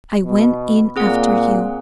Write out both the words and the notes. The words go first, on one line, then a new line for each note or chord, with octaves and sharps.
"I went in after you."
B2
A#2 C4 G#4 F#5